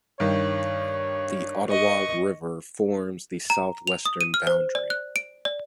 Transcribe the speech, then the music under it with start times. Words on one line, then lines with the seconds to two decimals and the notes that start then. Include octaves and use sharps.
The Ottawa River forms the southwestern boundary.
0.20 G2 D#3 C#5
1.70 D#5 C#6
3.50 A#5
3.87 F7
4.05 D#6
4.21 D#7
4.34 F6
4.47 C5
4.75 D5
4.90 F#6
5.16 D7
5.45 D5